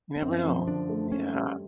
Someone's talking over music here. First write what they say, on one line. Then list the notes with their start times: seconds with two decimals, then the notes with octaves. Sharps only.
You never know, yeah.
0.16 B3
0.22 F#2 C4
0.45 F3
0.67 D3 D4
0.89 A3
1.12 F#2 C#4
1.34 G3